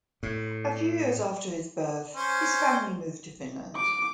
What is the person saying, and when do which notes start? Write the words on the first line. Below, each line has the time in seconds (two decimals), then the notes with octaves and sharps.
A few years after his birth, his family moved to Finland.
0.23 A2
2.16 C#4 C5
3.76 D6